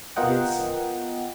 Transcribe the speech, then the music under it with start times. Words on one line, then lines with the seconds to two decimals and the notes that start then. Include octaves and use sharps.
Be it so.
0.16 B3 F4 A#4 D#5 F#5 G5